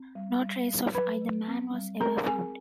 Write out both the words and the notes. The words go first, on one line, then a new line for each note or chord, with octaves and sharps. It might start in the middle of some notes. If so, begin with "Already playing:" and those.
No trace of either man was ever found.
Already playing: C4
G3
G3
G3
F#3 B4 B5
F#3
C4
G3
C4 A#4 A#5
C4 G#4 G#5